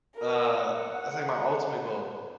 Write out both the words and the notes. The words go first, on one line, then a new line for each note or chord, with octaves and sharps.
uh, that's, like, my ultimate goal,
A#4
F#5